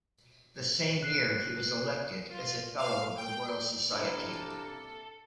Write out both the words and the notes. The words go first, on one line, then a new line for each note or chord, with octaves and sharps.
The same year he was elected as a Fellow of the Royal Society.
F#6 C7
F4
F5
G5
C2 C3 A#3 C#4 D4 E4 A4